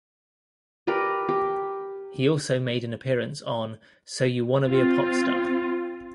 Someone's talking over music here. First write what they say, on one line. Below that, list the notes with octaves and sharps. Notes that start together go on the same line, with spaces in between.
He also made an appearance on So You Wanna be a Popstar?
G4 A#4 B4 D5
G4
C4 F4